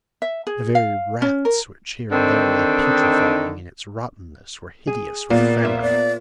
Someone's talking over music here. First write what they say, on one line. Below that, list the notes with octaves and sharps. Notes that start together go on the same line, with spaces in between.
The very rats, which here and there lay putrefying in its rottenness, were hideous with famine.
E5
G#4
F5
C#4
A#4
D3 D#3 C4 D#4
G#4
A#2 A#3 B3 D5
F4 C5 E5
D5